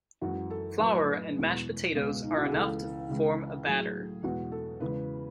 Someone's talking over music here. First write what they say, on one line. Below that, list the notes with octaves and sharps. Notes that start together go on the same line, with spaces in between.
Flour and mashed potatoes are enough to form a batter.
F#2 E3 G#3 F#4
A4
A2 F#3 B4
E2 B2 G#3
C#2 B2 G#3
D#4
E4
F#4
G#4
C#2 C#3 E3 A4
C#2 C#3 E3 G#3
A2 F#3 G#4
E2 B2 G#3 F#4
A4
E2 C#3 G#3 B4